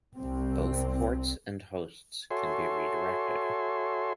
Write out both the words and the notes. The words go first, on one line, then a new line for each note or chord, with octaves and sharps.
Both ports and hosts can be redirected.
C2 C4
F#4 A4 C#5 E5 G#5 C6